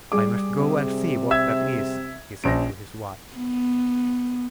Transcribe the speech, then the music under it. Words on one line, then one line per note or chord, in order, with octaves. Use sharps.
'I must go and see what that is,' he said to his wife.
G3 G#4 D6
C3
E5 E6 G#6
A#1 C#4 A#6 D7
B3